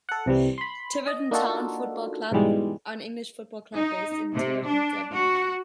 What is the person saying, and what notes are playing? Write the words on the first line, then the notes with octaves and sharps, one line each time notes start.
Tiverton Town Football Club are an English football club based in Tiverton, Devon.
A4 F#5
C2 C3 E3 G3
B5 C6
D#5
A#3 D4 D#4 F4 F#4 A4
G#2 B2 E3 G3 G#3
D#4
C3
D4
F#4